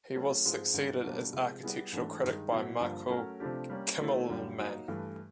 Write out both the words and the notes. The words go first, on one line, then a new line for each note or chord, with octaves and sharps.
He was succeeded as architectural critic by Michael Kimmelman.
F#3 A3 C#4
G#2 F3 G#3 C4
G2 D3 G3 A#3
B2 G3 A#3 D4 F#4
C3 F3 G#3
G3 B3 E4 G#4
G#2 E3 A3 D4 F#4
G2 D#3 G#3
B2 F#3 B3 E4
G2 D3 F3 A#3 D4
F#3 A3 C#4 F#4 A#4
C3 F3 A3 D4 G4
G3 A#3 C#4
D#3 F#3 A3 C4 E4
F#2 D3 G3
F#3 A#3 D#4
G2 E3 A3